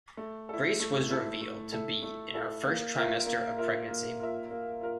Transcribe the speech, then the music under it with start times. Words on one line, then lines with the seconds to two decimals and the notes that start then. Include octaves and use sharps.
Grace was revealed to be in her first trimester of pregnancy.
0.17 A3
0.49 E4 A4
0.80 A3
1.10 E4 A4
1.41 A3
1.72 E4 A4
2.03 A3
2.34 E4 A4
2.66 A#3
2.95 F4 A#4 E5
3.26 A#3
3.58 F4 A#4 E5
3.88 A#3
4.20 F4 A#4 E5
4.51 A#3
4.81 F4 A#4